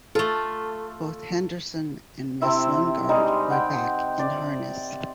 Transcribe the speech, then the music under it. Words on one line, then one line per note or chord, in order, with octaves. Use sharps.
Both Henderson and Miss Lingard were back in harness.
A3 F4 A4
C3 C4 E4 E5
G3 G#3 D#4
F#5 G5
D5